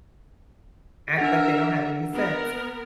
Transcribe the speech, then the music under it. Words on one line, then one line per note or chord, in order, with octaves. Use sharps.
act like they don't have any sense.
D4 A#4 E5 F#5
B3 A#4